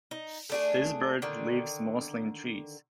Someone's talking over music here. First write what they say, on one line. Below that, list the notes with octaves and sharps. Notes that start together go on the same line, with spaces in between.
This bird lives mostly in trees.
D#4
A3 D4 G#4
D3 D#3